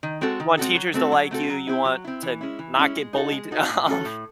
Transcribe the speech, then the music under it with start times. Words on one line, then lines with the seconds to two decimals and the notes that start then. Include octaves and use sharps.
you want teachers to like you, you want to not get bullied. Um,
0.03 D#3
0.21 G#3 C4 F#4 A4
0.40 D#3
0.57 G#3 C4 F#4 A4
0.75 F#3
0.94 A3 C4 F#4 A4
1.12 F#3
1.31 A3 C4 F#4 A4
1.50 F#3
1.67 C4 E4
1.85 F#3
2.04 C4 E4
2.23 E3
2.41 G#3 C#4 E4
2.59 E3
2.77 G#3 C#4 E4
2.96 G#3
3.13 D#4 F#4 A4
3.32 G#3
3.51 D#4 F#4 A4
3.69 A2
3.86 F#3 C#4 F#4 A4
4.05 A2